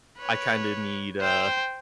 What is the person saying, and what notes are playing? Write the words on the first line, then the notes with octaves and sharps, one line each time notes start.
I kinda need, uh,
B4 C#5
C5 G5